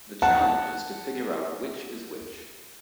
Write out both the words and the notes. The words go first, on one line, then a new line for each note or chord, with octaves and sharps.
The challenge is to figure out which is which.
F#5 A5